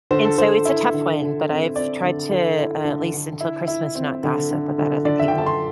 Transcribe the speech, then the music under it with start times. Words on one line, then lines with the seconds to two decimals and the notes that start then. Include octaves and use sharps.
and so, it's a tough one, but I've tried to uh, at least until Christmas, not gossip about other people.
0.11 D3 C5
0.25 A4
0.38 D3 C5
0.65 E4
0.94 D3
1.21 D3
1.49 C4
1.76 C4 D5
2.03 D3
2.31 D3
2.58 E4
2.85 D3
3.14 D3
3.41 E4
3.68 E4
3.95 C4
4.23 D3
4.51 D3
4.78 D3
5.05 D3 D5
5.19 E5
5.28 G5
5.34 D3 A5
5.46 C6